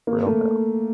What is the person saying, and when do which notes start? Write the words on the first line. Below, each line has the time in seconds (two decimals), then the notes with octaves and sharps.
real, now.
0.07 A#3
0.26 A3